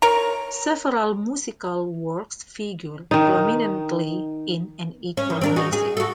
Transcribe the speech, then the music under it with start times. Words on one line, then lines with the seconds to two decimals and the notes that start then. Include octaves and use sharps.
Several musical works figure prominently in "An Equal Music".
0.02 A#4 C#5 A#5
3.11 D#3 D#4
5.17 C#4
5.30 D#3
5.41 C4 D4 A#4
5.56 D#4 F#4 G#4
5.73 G#4
5.97 F#4 A4